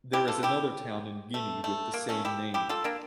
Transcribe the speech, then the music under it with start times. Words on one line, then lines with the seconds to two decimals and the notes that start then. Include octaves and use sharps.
There is another town in Guinea with the same name.
0.13 E4 G4
0.28 F4 A4
0.43 E4 G4
1.34 A3
1.64 A3
1.94 A#3
2.09 A3 C#4
2.25 E4 G4
2.54 E4 G4
2.69 F4 A4
2.84 A#3 D4